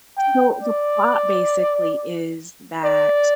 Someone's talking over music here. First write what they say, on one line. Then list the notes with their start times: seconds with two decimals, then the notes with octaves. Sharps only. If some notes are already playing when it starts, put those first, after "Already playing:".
So the plot, basically, is that,
0.18 G5
0.63 D5
2.84 D5